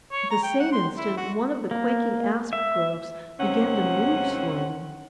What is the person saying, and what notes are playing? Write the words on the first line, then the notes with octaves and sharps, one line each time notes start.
At the same instant one of the quaking asp groves began to move slowly.
C#5
A#5
G5
F#5
C6
E4
F#4
A#3
E5
D#2 C3 C4 C#4 F#5